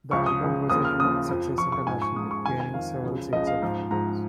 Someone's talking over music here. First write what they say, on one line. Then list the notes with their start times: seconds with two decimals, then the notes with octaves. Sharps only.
The album was a huge success internationally, gaining several sales certifications.
0.11 C#2 C#3 F3 C#6
0.26 D#6
0.41 C#2 C#3 F3
0.70 D#2 C#3 F3 D#6
0.85 F6
0.99 D#2 C#3 F3 D#6
1.29 F2 F3
1.58 F2 F3 C#6
1.72 C#6
1.87 G#2 F3 G#5
2.02 C#6
2.16 G#2 F3 D#6
2.31 C#6
2.46 F2 D#3 G#5
2.60 G#5
2.74 F2 D#3 F5
3.04 C#2 C#3 F3
3.33 C#2 C#3 F3 D#5
3.47 F5
3.62 G#2 F3
3.91 G#2 F3 A#5